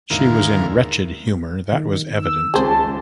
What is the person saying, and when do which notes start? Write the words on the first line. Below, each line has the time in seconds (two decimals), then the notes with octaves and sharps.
She was in wretched humor; that was evident.
0.10 D#2 G#2 D3 E4 A#4 F5
1.73 D#3
2.15 E6
2.54 C#2 G#4 C5 A5